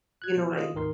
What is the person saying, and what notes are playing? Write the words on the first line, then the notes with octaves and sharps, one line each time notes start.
You know, like,
F#6 G#6
B2
D#3 F4 D#5
G#1 D2 D#3 A#4 C6